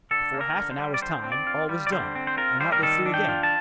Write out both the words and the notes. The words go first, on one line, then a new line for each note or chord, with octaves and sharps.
Before half an hour's time all was done, and out they flew again.
D3 A4
A#3
A#4
D3
C5
G3
D5
D3 C5
C4
D5
F4
G3
D5
D3 C5
C4
C5
F4 A#4
G3 C5
A#4
D#3 A4
D4
G5
F4
A5